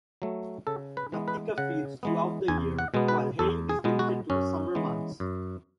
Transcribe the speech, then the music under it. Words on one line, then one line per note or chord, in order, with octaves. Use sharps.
The pika feeds throughout the year while haying is limited to the summer months.
F#3 A3
C#3 A4
B4
E3 G#3 B3
B4
C#3 F#5
E3 G#3 B3
E2 G#5
F#5
B2 G#3 B3
B4
E2 A4
G#4
B2 G#3 B3
F#4
F#2 C#4
E3 G#3 B3
F#2